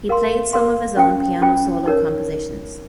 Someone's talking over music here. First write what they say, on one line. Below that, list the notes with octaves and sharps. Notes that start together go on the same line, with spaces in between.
He played some of his own piano solo compositions.
A#4 F5 C6
A#4 F5 C6
C#4 F4 C5 G5
C#4 F4 C5 G5
D#4 A#4 C#5